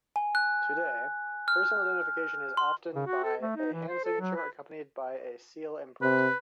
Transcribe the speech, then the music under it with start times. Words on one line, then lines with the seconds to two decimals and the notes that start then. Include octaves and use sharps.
Today, personal identification is often by a hand signature accompanied by a seal imprint.
0.16 G#5
0.35 F#6
1.48 F6
2.57 C6
2.95 C#3
3.07 F#4
3.24 A4
3.42 A3
3.56 D#4
3.73 E3
3.88 C5
4.05 A4
4.20 F#3
4.37 B4
6.02 C3 B4